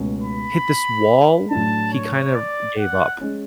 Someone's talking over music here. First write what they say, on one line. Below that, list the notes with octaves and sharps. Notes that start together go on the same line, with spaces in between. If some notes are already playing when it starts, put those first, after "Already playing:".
hit this wall, he kind of gave up,
Already playing: C#2 B2 A3 C#4
B5
A2 F#3 A3 D4 A5
C#5
D5
F#5
G#3 C#4